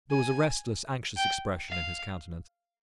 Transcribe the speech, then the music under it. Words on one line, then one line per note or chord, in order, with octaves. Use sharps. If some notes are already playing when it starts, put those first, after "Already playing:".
There was a restless, anxious expression in his countenance.
G#5
G5
F5